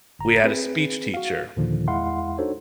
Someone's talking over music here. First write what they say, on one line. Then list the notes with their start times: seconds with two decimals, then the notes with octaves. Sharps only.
we had a speech teacher,
0.19 G1 A#5
0.44 C4 G#4 B4
1.14 F#4 F5
1.57 D#2 A#2 D3 D#3 F3
1.88 E2 G#3 E4 F5 F#5 C6
2.38 D4 D#4 F#4 A4 C5 C#5